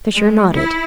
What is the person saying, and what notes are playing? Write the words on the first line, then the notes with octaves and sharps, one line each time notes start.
Fisher nodded.
G#3
E4